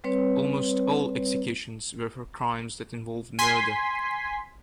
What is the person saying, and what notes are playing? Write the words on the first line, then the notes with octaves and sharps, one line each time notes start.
Almost all executions were for crimes that involved murder.
G3 C4 B4 C#5
G#5 C6 B6